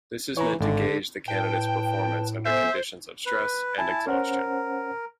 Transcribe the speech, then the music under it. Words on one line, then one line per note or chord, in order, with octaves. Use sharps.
This is meant to gauge the candidate's performance under conditions of stress and exhaustion.
E3 C#5 A#5
G#1 D3
A2 B4 G5 A5
B3 A4 C5 E5 G#5
B4
E4 G#5 A5
C#4 A#4 C5 F#5